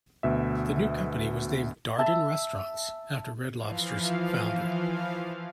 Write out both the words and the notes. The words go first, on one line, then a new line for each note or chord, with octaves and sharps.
The new company was named Darden Restaurants, after Red Lobster's founder.
D2 B2 E5
E5 A5 E6
E3 F3 F5